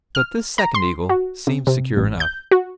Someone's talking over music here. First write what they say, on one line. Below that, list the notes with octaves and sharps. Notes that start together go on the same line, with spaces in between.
But this second eagle seemed secure enough.
F6
A#5
C6
F#4
C3
C3
A1
G6
F#4